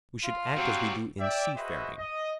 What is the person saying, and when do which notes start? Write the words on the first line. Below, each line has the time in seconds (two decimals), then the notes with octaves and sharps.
We should act as we do in seafaring.
0.24 F4
0.56 F#3 G3 C4 F#4
1.19 D5 E5 G5
1.55 F#4 G#4 B4 C5 D#5 E5
1.97 D#5